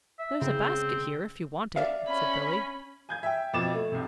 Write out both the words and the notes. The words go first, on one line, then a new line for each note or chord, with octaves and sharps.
"There's a basket here, if you want it," said Billy.
E5
C#3 C4
D5 E5 F5
C#4 B5
G#5 G6 G#6
E5 G5
F2 B2 D6 A6 E7
A3
B1 C3